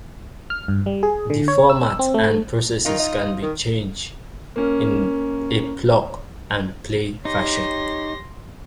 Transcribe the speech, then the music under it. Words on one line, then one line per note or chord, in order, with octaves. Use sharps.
The formats and processes can be changed in a plug and play fashion.
F6
G2
G3
G#4
D3
C#5
E6
C4
A3
D#3 D#4 F4
D#5
D#3
A#3 C#4
D#4 G4 C#5 C6 A#6